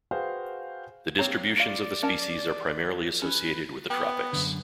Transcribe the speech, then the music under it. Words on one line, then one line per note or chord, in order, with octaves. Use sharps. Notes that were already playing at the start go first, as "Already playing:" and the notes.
The distributions of the species are primarily associated with the tropics.
F#4 G#4 B4 C5 F5 G5
A#3 C4 C#5 A#5
F4 D5 F5
C#4 A#4 A5
C#4 B4
B3 G5
F#2 D3